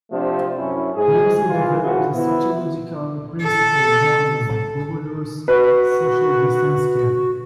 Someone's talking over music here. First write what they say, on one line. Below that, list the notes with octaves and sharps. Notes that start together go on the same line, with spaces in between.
He also developed a sociological principle known as the Bogardus Social Distance Scale.
C3 F3 A3 D4
F#2 C#4 E4
G#2 G#4
E3 F4
C#3 F3 E4 F#4
B3 E4
A4
F#4 B4